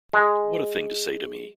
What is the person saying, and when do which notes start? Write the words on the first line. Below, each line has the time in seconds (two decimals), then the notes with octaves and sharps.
What a thing to say to me!
0.13 G#3